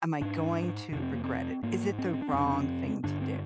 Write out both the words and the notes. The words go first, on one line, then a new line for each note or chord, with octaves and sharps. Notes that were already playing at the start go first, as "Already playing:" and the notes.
am I going to regret it? Is it the wrong thing to do?
G#2 D4
F2 C3 D4
C4
A#3
C4
G#2 A#3
C4
D4
C4
D4
C4
F2 C3 D4
C4
D4
C4
G2 D3 D4
C4